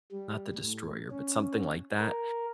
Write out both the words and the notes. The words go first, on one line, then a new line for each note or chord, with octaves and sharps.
not the destroyer but something like that.
G3
A2
C#4
A#4